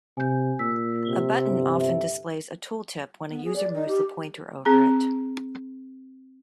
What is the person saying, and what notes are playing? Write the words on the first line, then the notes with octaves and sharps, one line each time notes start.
A button often displays a tooltip when a user moves the pointer over it.
C3 G#5 G6
A#2 E6 B6
C3
G1
E5
B3
G#4
D5
D#4
G4
C4 G#4 A#5